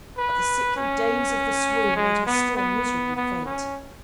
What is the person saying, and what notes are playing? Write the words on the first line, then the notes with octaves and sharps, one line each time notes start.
But the sickly daze of the swoon made her still miserably faint.
B4
C#4
G#3
B3
B3
B3
C#4